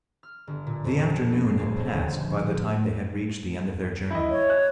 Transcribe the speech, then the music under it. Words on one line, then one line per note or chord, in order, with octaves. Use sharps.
The afternoon had passed by the time they had reached the end of their journey.
F6
G1
A#2
F2
A#1
C7
C#2
F2
G1
F3
F#5
E4 D#5
C#5
F#6